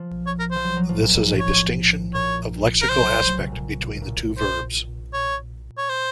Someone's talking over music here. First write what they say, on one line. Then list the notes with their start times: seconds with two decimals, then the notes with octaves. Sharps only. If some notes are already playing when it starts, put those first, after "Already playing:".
This is a distinction of lexical aspect between the two verbs.
Already playing: F3
0.27 C#5
0.40 A#4
0.51 F3 C5
0.64 F#3
0.77 F#3
0.89 F3
1.02 A#2
1.14 A#2
1.27 A2
1.39 C#5
2.14 A#2 C#5
2.82 A#4
2.89 C3 C5
3.01 F#3
3.14 A3
3.27 F#3
3.37 C#3
3.44 C3
3.52 A#2
3.96 A2
4.02 A#2
4.38 C5
5.13 C#5
5.78 C#5
5.90 C5